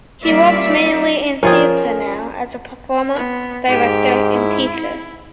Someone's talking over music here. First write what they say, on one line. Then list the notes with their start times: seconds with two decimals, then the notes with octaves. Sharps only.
He works mainly in theatre now as a performer, director and teacher.
0.22 G3 A#3 C#4 F4 D5 E5
1.43 F3 C#4 F4 G#4 A#4 G5
3.16 B3
3.69 G#2 G4
4.33 E4